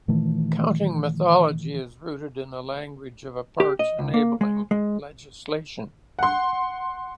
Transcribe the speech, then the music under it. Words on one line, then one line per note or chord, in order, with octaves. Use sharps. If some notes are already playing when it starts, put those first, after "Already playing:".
Counting methodology is rooted in the language of a park's enabling legislation.
A#2 D#3 E3 A3
G4
D#5
C#2
A#3
G#3
G#3
F#5 C6